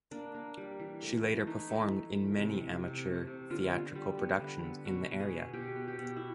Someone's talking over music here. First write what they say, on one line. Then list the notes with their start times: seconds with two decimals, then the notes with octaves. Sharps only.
She later performed in many amateur theatrical productions in the area.
0.11 A#3 D4
0.34 A#3
0.57 G3
0.79 E3
1.03 A3
1.24 A3
1.47 E3 D#4
1.70 A3
1.92 E3
2.15 A3
2.38 C3
2.60 C3
2.82 C3
3.05 A3
3.27 C3
3.50 D3 F4
3.73 B3
3.95 G3
4.18 B3
4.40 D3
4.63 B3
4.86 B2 F#4
5.08 B3
5.20 G#4
5.31 B3
5.53 B2 G4
5.76 B3
5.88 G4
5.98 B2
6.17 E4